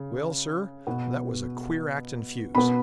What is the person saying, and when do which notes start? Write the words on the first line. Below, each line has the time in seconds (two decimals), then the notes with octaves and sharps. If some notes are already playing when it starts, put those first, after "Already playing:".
Well, sir, that was a queer acting fuse.
Already playing: C#3
0.87 B2 B3
2.55 B2 B3 B5